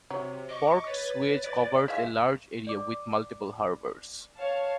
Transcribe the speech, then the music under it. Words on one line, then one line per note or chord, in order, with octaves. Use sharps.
Port Suez covers a larger area with multiple harbours.
C3 F#3
D#5 C#6 D6
B4 C#5 A6
D5
G#3 G#4 E5 F5
D5 D6
C#5 F5 A5